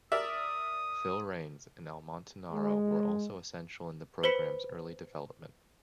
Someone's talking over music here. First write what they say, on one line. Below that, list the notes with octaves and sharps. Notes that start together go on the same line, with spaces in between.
Phil Reines and Al Montanaro were also essential in the program's early development.
A#4 D5 E5 D#6
G#3
B4 C5 B5 B6 C#7